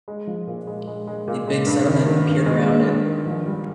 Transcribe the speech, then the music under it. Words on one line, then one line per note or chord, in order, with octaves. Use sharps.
A big settlement appeared around it.
G#3
F3
A#2
G#3
G#3
G#3
A#2
G#3
G2
D#3
D#3
G2
G#3
G#3
G#3
D#3
A#1
G3